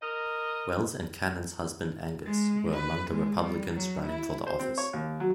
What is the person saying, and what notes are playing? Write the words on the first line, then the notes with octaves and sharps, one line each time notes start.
Wells and Cannon's husband Angus were among the Republicans running for the office.
A#4 D#5
G#3
B4
G#3
G3
F#3
E4
C5
C4
C#5
D#2
F#3